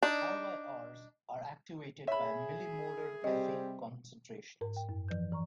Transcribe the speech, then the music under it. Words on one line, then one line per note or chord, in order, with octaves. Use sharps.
RyRs are activated by millimolar caffeine concentrations.
D4 D#4
G#4 C#5 E5 B5
C3 G3 C4 D#5
G#2 A#4
G5
F#2
E3 F3 B4 G6
E3 A#5 C#6